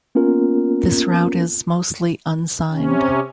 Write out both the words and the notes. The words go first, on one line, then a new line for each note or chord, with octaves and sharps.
This route is mostly unsigned.
A#3 B3 C#4 F4 A#4
C3 C#4